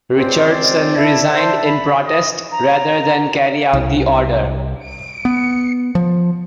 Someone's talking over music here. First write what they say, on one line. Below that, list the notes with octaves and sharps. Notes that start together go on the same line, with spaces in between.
Richardson resigned in protest rather than carry out the order.
C#2 C4 C5 D5
E4 D5 E5 A5
C5
B5
D#5
A#5
C2
B3
F3